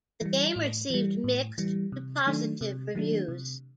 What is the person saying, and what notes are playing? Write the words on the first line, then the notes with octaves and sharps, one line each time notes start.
The game received mixed to positive reviews.
E3 G3
A2
E3 G3
A2
E3 G3
C3
D#3 F#3 A3 D4
C3
D#3 F#3 A3 D4
C3